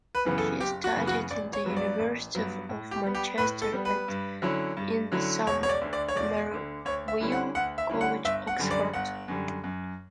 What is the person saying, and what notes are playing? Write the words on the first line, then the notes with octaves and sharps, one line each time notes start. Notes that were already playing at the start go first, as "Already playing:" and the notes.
He studied in the University of Manchester and in Somerville College, Oxford.
B4
F#2 C#3 E3 B3
A4
F#1 G4
F#4
F#2 C#3 E3 B3
F#4
A1 D5
C#5
G2 F#3 B3
D5
A1
G2 F#3 B3
A2
G4
G3 B3
G4
A2 B4
A4
G3 B3
B4
G2
D3 F#3 C#4 E4
G2
D3 F#3 C#4 E4
E1 C#5
C#5
D5
D2 D3
D5
C#5
E1 D5
D2 D3
D2 C#5
E5
D3 G3 C#4 E4
F#5
D2 F#5
E5
D3 G3 C#4 E4
F#5
G1 E5
F#5
F#2 D3 G3
D5
G1 F#5
F#2 D3 G3
F#2